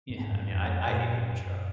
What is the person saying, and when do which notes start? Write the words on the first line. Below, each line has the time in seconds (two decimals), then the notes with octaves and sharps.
Yeah, I mean, I I hate paper straws.
0.10 G#2
0.30 F#2
0.49 F2
0.69 F#2
0.88 A#2
1.17 F#2